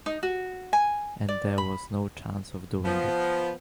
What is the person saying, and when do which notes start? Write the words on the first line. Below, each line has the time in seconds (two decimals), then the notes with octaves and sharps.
And there was no chance of doing it.
0.06 D#4
0.23 F#4
0.73 G#5
1.28 D5
1.58 B5
2.85 F3 B3